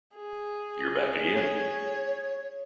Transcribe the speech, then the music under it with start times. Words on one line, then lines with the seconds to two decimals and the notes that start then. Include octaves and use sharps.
You're back again.
0.16 G#4
1.35 C#5